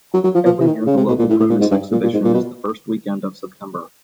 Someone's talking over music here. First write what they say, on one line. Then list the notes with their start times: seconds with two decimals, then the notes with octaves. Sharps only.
Every year, the local produce exhibition is the first weekend of September.
0.14 F#3
0.24 F#3
0.35 F3
0.45 F3
0.61 E3
0.66 D#3
0.87 C#3
0.97 C3
1.08 B2
1.19 A#2
1.29 A2
1.40 A2
1.50 A#2
1.60 G#2
1.71 G2
1.92 A#2
2.03 A#2
2.13 G#2
2.24 A#2
2.34 B2